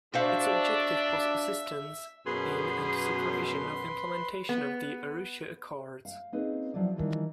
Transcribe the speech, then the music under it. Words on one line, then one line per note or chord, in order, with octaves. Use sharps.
Its objective was assistance in and supervision of implementation of the Arusha Accords.
D4 F#4 C5 E5 F5
F#2 B2 G#4 B4 C6
B3
F5 G5
A#3 C4 C#4 D#4 G#4 B4
F3 F#3 E4 D5
D#3 E3 G3 D4 F4